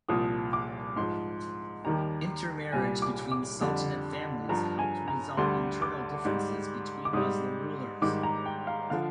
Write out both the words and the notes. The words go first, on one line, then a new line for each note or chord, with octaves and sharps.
Intermarriage between Sultanate families helped resolve internal differences between Muslim rulers.
C2 A#2 F3 D#6
D6
G#2 F3 C6
D#2 D#3 G3 A#5
C2 A#2 G3 G#5
D6
D6
F2 D3 G3
G2 F3 A#5
G#5
A#5
D2 D3 G3 C6
D6
G#2 G3
D6
G#2 G3 D#6
G#2 D#3 G3 D6
A#5
G5
F5
D3 F3 F5